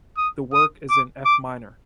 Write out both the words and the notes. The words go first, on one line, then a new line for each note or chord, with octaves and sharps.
The work is in F minor.
D#6
D#6
D6
D6